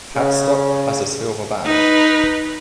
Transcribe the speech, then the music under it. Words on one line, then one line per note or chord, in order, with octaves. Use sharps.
Hadstock has a silver band.
C#3
D#4 B4